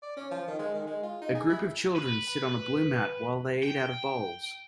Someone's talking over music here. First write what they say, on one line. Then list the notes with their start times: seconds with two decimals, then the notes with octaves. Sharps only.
A group of children sit on a blue mat while they eat out of bowls.
0.03 D5
0.17 C#4
0.31 F3
0.48 D#3
0.59 G#3
0.74 D#3
0.87 G#3
1.03 F4
1.21 D#4
1.35 G#4
1.49 E4
1.96 B4
3.63 G5